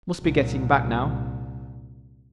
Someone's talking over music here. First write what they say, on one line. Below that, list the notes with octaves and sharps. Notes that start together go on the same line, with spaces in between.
Must be getting back now.
C2 A#2